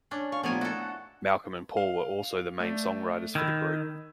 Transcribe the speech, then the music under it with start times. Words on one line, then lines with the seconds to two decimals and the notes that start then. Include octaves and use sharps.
Malcolm and Paul were also the main songwriters for the group.
0.11 C#4 D4
0.32 F5 C#6
0.43 A#2 F3 G3 A3 B3 A#4 G#5
0.61 E4 F#4 A4 A5
0.81 F#5
1.77 F5
2.60 A3 D5
3.35 D#3 B5 E6 G#6